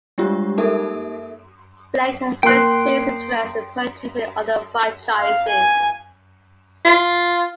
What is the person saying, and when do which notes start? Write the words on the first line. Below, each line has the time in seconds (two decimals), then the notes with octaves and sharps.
Blank has expressed serious interest in purchasing other franchises.
0.18 G3 G#3 D4 F4 G4
0.58 A#3 D#4 G4 A4 A#4 E5
2.43 A#3 G5 C6 F#6
5.19 F5
5.48 G#5
6.85 F4